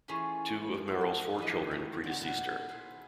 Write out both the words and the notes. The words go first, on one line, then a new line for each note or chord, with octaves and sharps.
Two of Merrill's four children predeceased her.
E3 A3 C#4 F4 G#4
F3
F#3
F3
E3 D4 G4 B4 D#5
D#3
D3
C#3
B2
A#2
B2
C4 E4 G#4